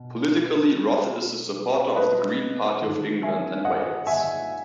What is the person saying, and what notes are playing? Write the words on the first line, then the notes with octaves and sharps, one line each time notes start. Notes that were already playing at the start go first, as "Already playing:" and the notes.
Politically, Roth is a supporter of the Green Party of England and Wales.
Already playing: B2
B4 D#5
G#2 D#3 A3 A4
E5 G#5
D#5 F#5
E5 G#5